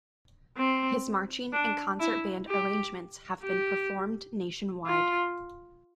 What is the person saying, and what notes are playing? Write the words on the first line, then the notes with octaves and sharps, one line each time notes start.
His marching and concert band arrangements have been performed nationwide.
C4
D4
E4
G4
G4
F4